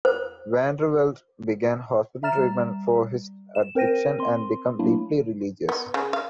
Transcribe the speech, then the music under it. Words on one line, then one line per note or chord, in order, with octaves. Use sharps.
Van der Velde began hospital treatment for his addiction and became deeply religious.
C5
E5 A#5 F6 A6 E7
G3
E7
C4 A#4 C5 G5 A#6 D#7
C4 C6
F#3 A3 A#3 D4 E4
B3
C#3
F5